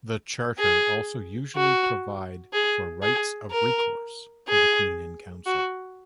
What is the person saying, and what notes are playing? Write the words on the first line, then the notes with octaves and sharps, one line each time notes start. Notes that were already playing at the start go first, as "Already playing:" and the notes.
The charter also usually provide for rights of recourse to the Queen in Council.
G#4
F#4
G#4
G#4
A#4
G#4
F#4